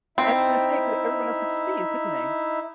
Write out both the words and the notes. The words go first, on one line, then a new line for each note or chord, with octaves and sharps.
I was gonna say 'cause everyone else could see you, couldn't they?
C4 D#4 E4 E5